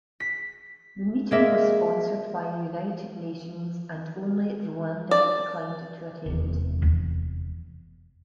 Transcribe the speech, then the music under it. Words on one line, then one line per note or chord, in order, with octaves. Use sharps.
The meeting was sponsored by the United Nations, and only Rwanda declined to attend.
B6
G#3 A#3 E5
D5
F1 E2